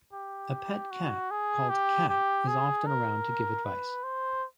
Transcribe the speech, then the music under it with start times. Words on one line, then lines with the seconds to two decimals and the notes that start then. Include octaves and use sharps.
A pet cat called Cat is often around to give advice.
0.13 G4
0.91 F#4
1.31 G#4
1.70 G4
2.09 G4
2.47 G#4
2.87 A#4
3.65 B4
4.03 C5